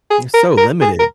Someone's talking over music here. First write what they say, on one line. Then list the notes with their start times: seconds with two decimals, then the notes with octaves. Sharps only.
And so limited,
0.11 G#4
0.34 A#4
0.57 A#4
0.82 G#4
0.99 A#4